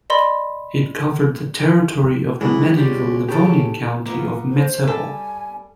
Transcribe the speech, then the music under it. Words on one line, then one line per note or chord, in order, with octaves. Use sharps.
It covered the territory of the medieval Livonian county of Metsepole.
D5 D#5 B5 C6
A2 E3 F#3 G#3
C#2 G3 G4
C#3 G4 A4
A#3 B3 F4
C5
G3 A4 G#5